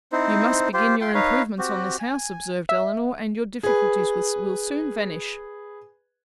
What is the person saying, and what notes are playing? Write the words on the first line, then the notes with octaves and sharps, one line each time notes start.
"You must begin your improvements on this house," observed Elinor, "and your difficulties will soon vanish."
C4 D#4 E4 C5
F4 G4 C5
F4 G5 C6
D#4 B4 C#5 F5
C4 F#4 G4
G#5
E5
G#4 B4